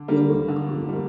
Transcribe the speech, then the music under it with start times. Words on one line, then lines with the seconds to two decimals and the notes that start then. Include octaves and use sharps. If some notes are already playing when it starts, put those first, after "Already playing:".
Cool, cool.
Already playing: D3
0.08 G3 A#3
0.48 D3
0.89 G3 A#3